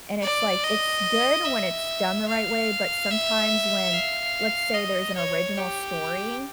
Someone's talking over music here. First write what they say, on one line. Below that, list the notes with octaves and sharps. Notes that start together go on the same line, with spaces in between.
And it's, like, it's good when it's done the right way, but sometimes when let's say there's an original story
D5
D#5
E5
F5
E5
F5
D#5
C#5
G4